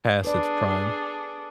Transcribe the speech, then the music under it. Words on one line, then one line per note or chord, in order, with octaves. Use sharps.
past its prime.
D4 G#4 A4 B4 D5